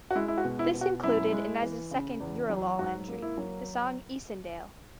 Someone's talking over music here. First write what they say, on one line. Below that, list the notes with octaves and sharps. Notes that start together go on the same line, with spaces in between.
This included Ines' second "Eurolaul" entry, the song "Iseendale".
F#4
G#3 E4
E4
F#4
B2
E4
B2
F#4
F#2 E4
G#3
E3
C#3
E2
F#3
G#2 F#4
A#3
E4
F#3